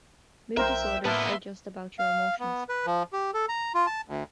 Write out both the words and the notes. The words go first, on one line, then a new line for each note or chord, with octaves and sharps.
Mood disorders are just about your emotions.
B1 A#4 C5 E5 G5
A2 A#3 B3 B4 E5 A5 C6
F5
B3
B4
F3
G4
A4
A#5
F4
A5
D2